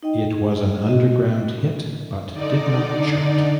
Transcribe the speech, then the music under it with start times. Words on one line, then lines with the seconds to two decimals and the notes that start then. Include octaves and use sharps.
It was an underground hit, but did not chart.
0.03 D#4 D#5 G5
0.35 G#4
0.86 F#4 D#5
2.34 D3 D#4 D5